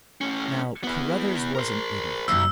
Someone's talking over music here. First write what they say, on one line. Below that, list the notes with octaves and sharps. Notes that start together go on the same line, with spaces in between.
Now, Carruthers was an idiot.
A2 C#4
B3 E4
A#4 C5
F#1 B1 G3 E6